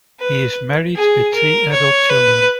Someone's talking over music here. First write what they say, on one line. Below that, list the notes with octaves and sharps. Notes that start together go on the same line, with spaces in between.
He is married with three adult children.
B4
G#4
A#4
C#5
B4